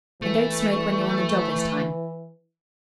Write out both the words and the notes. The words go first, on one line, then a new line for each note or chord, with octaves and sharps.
And don't smoke when you're on the job this time.
E3 A3